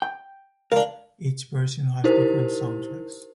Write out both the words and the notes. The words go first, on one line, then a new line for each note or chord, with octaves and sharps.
Each version has different soundtracks.
G5
C#2 D4 A#4 F5
D#4 E4 G4 A#4 C5